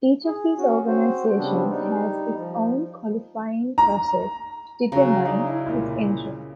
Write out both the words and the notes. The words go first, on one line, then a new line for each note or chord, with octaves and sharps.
Each of these organizations has its own qualifying process to determine its entrants.
G#4
C#4 F#4
C4 F#4 C5
C#3 G3 B3 C4 D4
G3 D#4
F3
A#5
C#3 F#3 A#5
D4 D#4
E4
C2 A#2